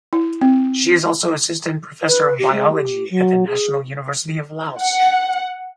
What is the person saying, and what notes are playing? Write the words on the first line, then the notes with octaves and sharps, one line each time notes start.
She is also Assistant Professor of Biology at the National University of Laos.
E4
C4
B4
G4
G#3
G4
F#3
G#4
F#5